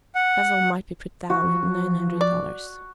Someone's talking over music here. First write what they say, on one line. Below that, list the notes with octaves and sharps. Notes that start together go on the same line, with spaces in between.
Bazil might be put down at nine hundred dollars.
F#5
F3 F#4
D5